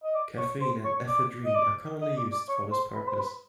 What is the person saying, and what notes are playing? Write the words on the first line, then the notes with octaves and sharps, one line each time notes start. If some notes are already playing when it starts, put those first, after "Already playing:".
Caffeine and ephedrine are commonly used for this purpose.
D#5
D5
C#5
C5
C#5
D5
D#5
D5
D#5
D5
D5
C#5
C5
B4
C5
B4